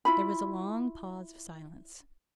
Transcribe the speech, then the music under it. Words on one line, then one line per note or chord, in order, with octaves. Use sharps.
There was a long pause of silence.
E4 F4 B5